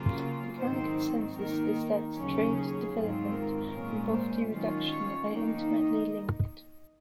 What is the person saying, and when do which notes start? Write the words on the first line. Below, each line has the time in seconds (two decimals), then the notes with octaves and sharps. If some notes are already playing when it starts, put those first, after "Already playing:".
The current consensus is that trade, development, and poverty reduction are intimately linked.
Already playing: C#3 F#3 A#3 F4
0.57 G#2 D#3 F#3 C4 D#4 C5
1.36 D#3 A#3 D#4 A#4
2.14 D#2 C#3 F#3 C#4
2.54 G#4
2.92 G#2 D#3 F#3 C4 F4
3.31 A#4
3.70 A#2 G#3 C#4 F4 A#4
4.10 C5
4.48 D#3 F#3 C#4 F4
4.88 C#5
5.27 D#3 A#3 D#4
5.67 D#5